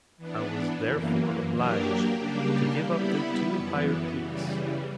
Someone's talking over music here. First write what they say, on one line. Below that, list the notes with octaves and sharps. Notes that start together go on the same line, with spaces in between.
I was therefore obliged to give up the two higher peaks.
E3 B3 D4
F#2 E3 A#3
F#3 A#3 D4 G4 A#4
C#3 G3 A#3 D4 G4
G3 B3 E4 B4
F#2 E3 B3
C#3 E3 G3